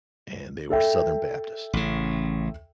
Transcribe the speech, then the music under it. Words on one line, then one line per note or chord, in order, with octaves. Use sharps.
and they were Southern Baptists.
A4 E5 G5
A1 C#3